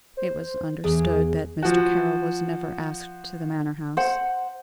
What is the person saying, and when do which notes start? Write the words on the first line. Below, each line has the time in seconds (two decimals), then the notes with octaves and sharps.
It was understood that Mr. Carroll was never asked to the Manor-house.
0.17 C5
0.84 E2 G#4
1.63 F3 F#4
3.97 C5 F#5